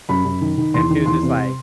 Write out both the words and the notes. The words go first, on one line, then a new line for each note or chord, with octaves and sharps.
and she was just like,
F#2 B5
F#2
D#3
D#3
E2 C6
D#3
E2 C6
C3